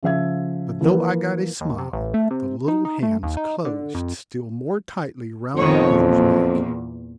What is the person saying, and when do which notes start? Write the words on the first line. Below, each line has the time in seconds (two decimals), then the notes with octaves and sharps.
But though I got a smile, the little hands closed still more tightly round the mother's neck.
0.03 C#3 F3 E5 G#6
0.81 E3 F3 A#3 B4
1.61 D#2
1.78 C3
1.93 A1
2.14 A3
2.31 C3
2.68 D#4
2.85 D#4
3.03 A3
3.23 D#2
3.37 D#4
3.65 D3
3.95 F2
5.55 F2 D#3 B3 C#5
5.89 E2 A#2